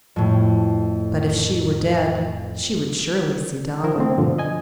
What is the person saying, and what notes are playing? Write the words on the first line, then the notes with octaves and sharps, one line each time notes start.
But if she were dead she would surely see Donal.
F2 A2
D#3 F3 E4 A#4 C5
D3 A3 C4
G2 B2 D3 F3
D#5 G#5